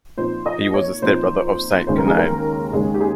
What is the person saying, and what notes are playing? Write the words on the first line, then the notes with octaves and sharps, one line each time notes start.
He was a stepbrother of Saint Conainne.
A#2 F3 C4 D#4 C5
D#5
C#5
A#2 F3 C4 D#4 C5
D#2 C#3 G#3 C#4 C5
A#4
G#4
A#4
D#2 C#3 G#3 C#4 G#4
G4
G#4